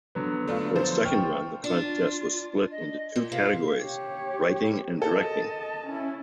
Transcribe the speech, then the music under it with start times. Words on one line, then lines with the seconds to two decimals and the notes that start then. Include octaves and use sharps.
For its second run, the contest was split into two categories: writing and directing.
0.15 D3 F#3 B3
0.48 A3 D4 F4
0.76 F3 C5
1.05 G5 C#6 F6
1.64 D4 F4
2.70 D#5
3.16 A#2
3.32 C3 F5
3.81 G4 C#5
5.02 A4 D#5 A5
5.87 C#4 E4